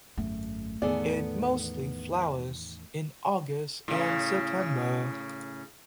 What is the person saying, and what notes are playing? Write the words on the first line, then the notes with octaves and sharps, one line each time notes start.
It mostly flowers in August and September.
G#1 F#2 A3
E2 A2 D#3 B3 G#4 A4 D5
A2 C#3